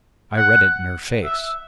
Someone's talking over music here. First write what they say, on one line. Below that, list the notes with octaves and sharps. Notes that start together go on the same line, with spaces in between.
I read it in her face.
F#5
E5